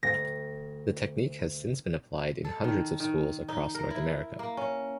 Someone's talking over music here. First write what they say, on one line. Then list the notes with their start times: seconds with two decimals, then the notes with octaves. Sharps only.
The technique has since been applied in hundreds of schools across North America.
0.03 D2 G5 A#6
2.45 A4
2.64 D#3
3.00 D#3
3.48 D#4
3.75 A#4
3.91 E4
4.39 A#3
4.57 C#4